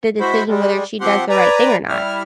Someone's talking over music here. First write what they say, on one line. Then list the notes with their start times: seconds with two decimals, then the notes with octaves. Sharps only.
the decision whether she does the right thing or not.
0.20 G#3 E4 F#4 C5 B5
0.48 G3 G#3
1.01 F3 C4 G4 F#5 C6
1.29 B4 D5 G#5 A#5
1.89 G3 E4 F6